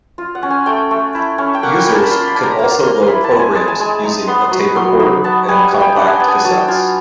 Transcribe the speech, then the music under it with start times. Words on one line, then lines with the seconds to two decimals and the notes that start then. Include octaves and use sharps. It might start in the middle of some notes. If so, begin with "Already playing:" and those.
Users could also load programs using a tape recorder and compact cassettes.
0.18 F4
0.35 F#5
0.43 C#4
0.50 G#5
0.66 A3 G5
0.91 A3
1.15 E4
1.38 C#4
1.54 G5
1.63 A#3 F#5
1.79 G5
1.86 A#3
1.95 A5
2.04 B5
2.11 F4 C6
2.27 B5
2.35 D4
2.43 A#5
2.59 A#3 A#5
2.83 A#3 C6
3.03 E4 B5 C6
3.24 A5
3.31 C4
3.39 G#5
3.55 G#3 A5
3.68 G#5
3.80 G#3 A5
4.04 D#4 A#5
4.28 B3 C6
4.51 F#3 B5
4.76 F#3 C6
4.99 D#4 B5
5.24 B3 A5
5.48 G3 G#5
5.65 G#5
5.72 G3
5.81 G5
5.96 D4 F#5
6.07 G#5
6.13 G5
6.20 B3
6.28 G#5
6.44 F#3 A5
6.58 G5
6.68 F4 G#5